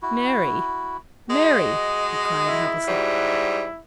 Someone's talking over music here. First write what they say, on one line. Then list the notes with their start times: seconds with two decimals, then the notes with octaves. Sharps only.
"Mary, Mary!" he cried, helplessly.
0.02 E4 F#4
1.30 G#3 F#4 D#5
2.49 E4
2.88 G#2 G3 F#4